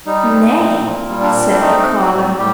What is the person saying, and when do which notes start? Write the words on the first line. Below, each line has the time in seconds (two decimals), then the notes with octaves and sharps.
"Nay!" said the collar.
0.06 G3 D#4
0.32 C4
0.57 A#2
0.83 A#2
1.09 G3
1.22 D4
1.35 C4
1.51 D4
1.60 A3 D#4
1.86 C4
1.99 F#3 F#4
2.11 A2
2.37 A2 G3 G4